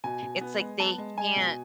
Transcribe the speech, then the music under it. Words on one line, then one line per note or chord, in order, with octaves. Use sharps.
It's, like, they can't
B2 G#5
B2
B3
G#3
B3 A5
G#3
G#3 G#5
B2